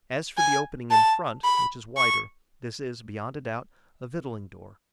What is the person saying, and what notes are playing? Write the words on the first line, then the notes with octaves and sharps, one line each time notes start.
As for the opening in front, which is wider, this is, beyond a doubt, a victualling-door.
G#5
A5
B5
C#6